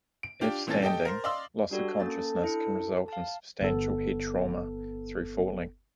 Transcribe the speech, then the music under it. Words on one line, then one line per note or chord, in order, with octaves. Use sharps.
If standing, loss of consciousness can result in substantial head trauma through falling.
D7
D4 F4 G4
A#2 E3 C4 C#4 A4 A6
G4 A4 D#5 G5
A#4 C5
D5 D#5 F5 C6 D6 E6
G3 D4 F#4 A4
A#3 C#4 A4 A6
D4 E4 C#7
F5 A5
G1 B3 A4